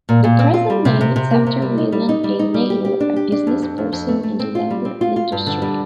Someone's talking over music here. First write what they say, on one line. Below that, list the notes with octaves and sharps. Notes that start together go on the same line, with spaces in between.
The present name is after William A. Naylor, a businessperson in the lumber industry.
A#2
A#2
C4
F4
G3
C3
C3
C3
A#3
C3
G3
D#4
G3
D#4
G3
D#4
G3
G4
G4
D4
G4
D4
F2
F2
F2
F2
A3
A3
C4
F4
G3
C4
F4
F4
G2
D3
G3